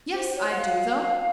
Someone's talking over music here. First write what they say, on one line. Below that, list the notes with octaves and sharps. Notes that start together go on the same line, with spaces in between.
Yes, I do, though.
C5
C#5
F#5
F5